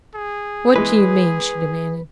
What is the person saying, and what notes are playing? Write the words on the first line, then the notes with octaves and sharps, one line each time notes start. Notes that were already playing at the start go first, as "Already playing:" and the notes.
"What do you mean?" she demanded.
G#4
E3 G#3 B4